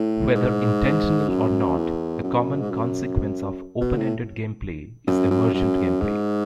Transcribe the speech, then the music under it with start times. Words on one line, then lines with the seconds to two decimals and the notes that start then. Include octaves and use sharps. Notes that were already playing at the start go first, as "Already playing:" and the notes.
Whether intentional or not, a common consequence of open-ended gameplay is emergent gameplay.
Already playing: A2
0.35 G#2
1.29 F#2
1.76 E2
2.23 F#2
2.61 G#2
2.71 F#2
3.81 B2
3.97 A2
5.07 F#2
5.31 F#2
5.54 F#2
6.01 G#2